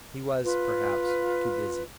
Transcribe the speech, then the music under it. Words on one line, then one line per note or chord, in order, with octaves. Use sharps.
He was, perhaps, too busy.
F4 B4